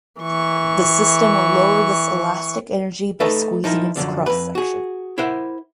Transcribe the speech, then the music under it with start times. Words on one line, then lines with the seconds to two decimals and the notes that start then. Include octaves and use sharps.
The system will lower this elastic energy by squeezing its cross section.
0.21 E3 C#6
3.20 A3 D#4 A4 B4 E5
3.64 F3 D#4 E4 A#4
3.96 F#2 A2 D3 F3
4.26 F2 B4
4.55 F#4 G#4
5.18 E4 A#4 C5 E5 F#5